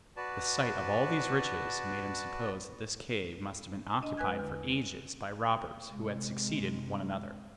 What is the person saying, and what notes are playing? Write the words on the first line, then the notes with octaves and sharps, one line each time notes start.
The sight of all these riches made him suppose that this cave must have been occupied for ages by robbers, who had succeeded one another.
F#4 B4 D5 A5
D4 D#5
G#3 B4 G#5 F#6 G#6
E2 D3
C3 G#3